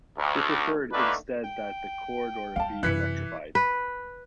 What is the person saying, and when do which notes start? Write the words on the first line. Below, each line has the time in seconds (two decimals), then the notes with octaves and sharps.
They preferred instead that the corridor be electrified.
0.18 D2
0.92 D3 D#3 A3 A#3 D4 B4
1.44 G5
2.56 D2 G3 F5 A5
2.83 F#2 C3 E3 F#6 B6 C#7
3.55 B4